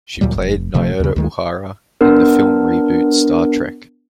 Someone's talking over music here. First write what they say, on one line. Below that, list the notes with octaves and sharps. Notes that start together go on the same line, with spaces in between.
She played Nyota Uhura in the film reboot Star Trek.
D2 A#2 F#3 G3
F1
D1 C3 F3 A3
D#2 C#3
D2 D#3 G#3
B3 D4 A#4